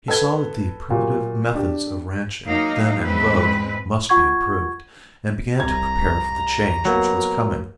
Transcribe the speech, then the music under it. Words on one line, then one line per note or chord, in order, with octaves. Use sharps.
He saw that the primitive methods of ranching then in vogue must be improved, and began to prepare for the change which was coming.
A4 B4 G#6 G7
A#2 F#3 G4
D4 G4
F#3 A#3 D#4 F5
E2 G#2 G#3 C4 B4
F4 F#5 C#6 G#6
C2 A#5 G#6
F#3 A#3 B3